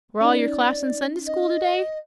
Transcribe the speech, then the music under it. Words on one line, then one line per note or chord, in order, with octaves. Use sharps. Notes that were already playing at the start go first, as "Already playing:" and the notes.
"Were all your class in Sunday School today?"
C#4 D#4 D5
D#5